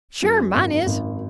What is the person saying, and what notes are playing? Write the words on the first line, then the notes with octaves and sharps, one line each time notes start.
"Sure; mine is."
F#2
G#1
G#1